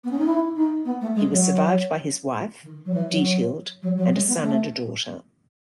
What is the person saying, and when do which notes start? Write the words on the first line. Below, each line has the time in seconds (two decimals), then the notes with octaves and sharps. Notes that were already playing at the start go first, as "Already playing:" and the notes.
He was survived by his wife, Diethild, and a son and a daughter.
0.04 B3
0.11 C#4
0.18 D#4
0.26 E4
0.55 D#4
0.85 B3
1.01 A3
1.15 G#3
1.30 F#3
2.63 D#3
2.85 F#3
2.93 E3
3.08 F#3
3.82 F#3
3.97 F#3
4.12 G#3
4.27 B3
4.42 A3